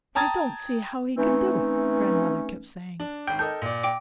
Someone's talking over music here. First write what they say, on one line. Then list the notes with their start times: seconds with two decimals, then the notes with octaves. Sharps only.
"I don't see how he could do it!" grandmother kept saying.
0.15 G5 A5 A#5 D#6 G#6 A6
1.17 E3 A3 C4 C#4 D#4
3.00 D4
3.27 G#1 G5 G6
3.39 A4 A#4 D#5 G6
3.62 A#2 D5
3.83 G5 D6